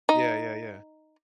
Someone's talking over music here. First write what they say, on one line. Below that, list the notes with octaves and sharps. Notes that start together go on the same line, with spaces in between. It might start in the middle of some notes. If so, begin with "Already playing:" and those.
Yeah, yeah, yeah.
D#4